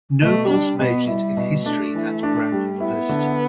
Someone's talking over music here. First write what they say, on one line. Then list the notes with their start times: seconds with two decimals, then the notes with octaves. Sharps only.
Nobles majored in history at Brown University.
0.22 B2 A3
0.50 G3 D4
0.79 B2 B3
1.08 G3 E4
1.37 B2
1.65 A3 D4
1.95 E3
2.23 D4
2.52 G3
2.80 B3 E4
3.09 D3